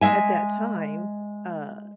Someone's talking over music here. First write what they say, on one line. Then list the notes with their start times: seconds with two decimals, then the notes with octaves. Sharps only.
at that time, uh,
0.01 G#3 E5 G#5